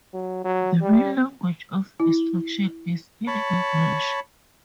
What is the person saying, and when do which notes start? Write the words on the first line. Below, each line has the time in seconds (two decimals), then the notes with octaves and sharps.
The main language of instruction is in English.
0.14 F#3
0.44 F#3
0.81 G3
2.00 E4
3.27 C#5 A5 B5